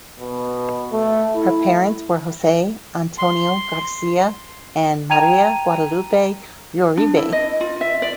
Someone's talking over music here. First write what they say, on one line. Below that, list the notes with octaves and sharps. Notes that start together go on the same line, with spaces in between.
Her parents were Jose Antonio Garcia and Maria Guadalupe Uribe.
B2
A3
E4
C6
G5 A5 A#5 G#6 D#7 F7
D4
E4
D#5
F4
E5
D5